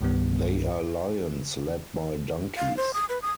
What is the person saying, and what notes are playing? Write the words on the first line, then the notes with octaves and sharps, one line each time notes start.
They are lions led by donkeys.
C2 G2 D#3 G3 B3
F5
C5
D#6
B4
D#6